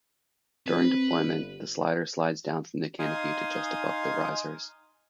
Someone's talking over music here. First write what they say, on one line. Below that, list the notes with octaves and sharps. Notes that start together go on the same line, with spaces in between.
During deployment, the slider slides down from the canopy to just above the risers.
C4 B4
G1
D#4 F5 G#5 C6 D#6